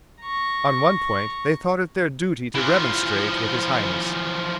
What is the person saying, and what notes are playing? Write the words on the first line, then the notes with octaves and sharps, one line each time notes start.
On one point they thought it their duty to remonstrate with his Highness.
A#5 C#6
E3 F3